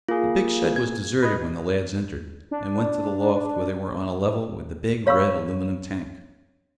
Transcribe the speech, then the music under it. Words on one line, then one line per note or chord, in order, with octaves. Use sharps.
The big shed was deserted when the lads entered, and went to the loft where they were on a level with the big, red aluminum tank.
A#3 F4 G#4
G#6
B4 D#5
D4
G4 C#5 F5 B5 C#6 E6